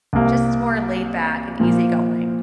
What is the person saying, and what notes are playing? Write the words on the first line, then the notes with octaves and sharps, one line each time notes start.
just more laid back and easy-going.
C2 C3 A#3
A#2 F3 A#3